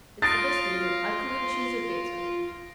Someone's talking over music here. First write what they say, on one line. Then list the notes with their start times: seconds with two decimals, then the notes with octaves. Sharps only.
"It's the best minute; I couldn't choose a better."
0.22 F4 D#6 A6 A#6 C7 D7